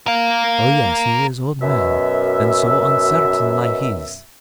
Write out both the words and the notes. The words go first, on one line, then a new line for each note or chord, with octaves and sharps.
Oh, yes--he is old man, and so uncertain life is.
A#4 F5
F#2 B2 E5